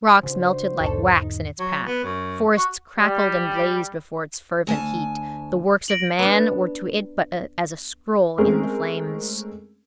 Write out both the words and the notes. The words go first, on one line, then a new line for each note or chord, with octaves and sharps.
Rocks melted like wax in its path; forests crackled and blazed before its fervent heat; the works of man were to it but as a scroll in the flames.
C#3 D4 F#4 C5
B1 E2 G#2 B2 D3 A4 C#5 D5
D#4
F#3
B3
F#2
F#4
G3
D2 G#5 A5
A#6 D7 F#7
B3 D4
G#3 A3 C4 C#4 G#4 A#4